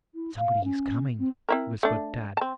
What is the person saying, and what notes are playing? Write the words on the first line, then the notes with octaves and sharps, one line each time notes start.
"Somebody is coming," whispered Tad.
E4
F5
C#4
C4
C4 E4 A#4
A3 D4
C4 A5